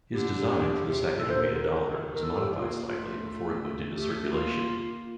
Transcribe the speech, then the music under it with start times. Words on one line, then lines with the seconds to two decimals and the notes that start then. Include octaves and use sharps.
His design for the Sacagawea dollar was modified slightly before it went into circulation.
0.14 D3 G4
0.31 G4
0.84 C3
1.19 A#2 A4
1.30 C5
1.42 A#4
1.52 D3
1.88 D#3
2.15 A#4
2.22 A4
2.39 G4
2.57 A#3 F4
2.84 F4
2.92 A3
3.95 A3 G4
4.26 G4
4.31 A#3 F4